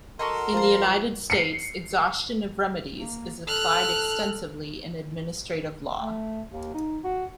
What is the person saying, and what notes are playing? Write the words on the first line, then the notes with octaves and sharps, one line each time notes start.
In the United States, exhaustion of remedies is applied extensively in administrative law.
F#4 A4 A#4 D#5 C6
F3 F5 A5 A#5
C7 C#7
A#3
A4 F6 F#6
A3
D#2
D#4
F#4